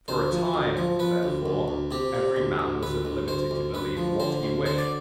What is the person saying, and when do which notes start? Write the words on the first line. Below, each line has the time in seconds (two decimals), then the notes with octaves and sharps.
For a time, therefore, every man was at liberty to believe what he wished.
0.08 D2 C5
0.31 F3
0.54 D2
0.77 F3
0.99 F3 B4
1.23 D2
1.46 D2
1.68 D2
1.91 C3 G4
2.15 C3
2.36 D2
2.59 D2
2.83 D2 B4
3.05 D2
3.28 D2 C5
3.51 D2
3.74 D2 B4
3.97 F3
4.20 D3 C5
4.43 D2
4.66 D3 C5
4.78 D5